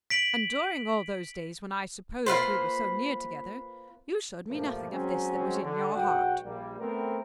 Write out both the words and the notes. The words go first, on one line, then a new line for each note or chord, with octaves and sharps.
"And during all those days when I supposed we were so near together--you showed me nothing of this that was in your heart."
B6 D7 F#7
A#3 F4 B4 C5
G2 A#2 F3 A3 A#3
F#3 G#3 C4 C#4
D3
A#1 F#4 F#5 G5
A#1 G3 A#3
A3 B3 C4 A#4